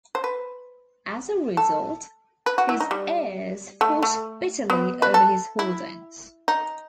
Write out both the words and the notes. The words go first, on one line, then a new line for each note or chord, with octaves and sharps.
As a result, his heirs fought bitterly over his holdings.
C5
B4
A4
B4
F#4
E4
D#4
G3
A3
A3
B3
B4
A4
E4
D#4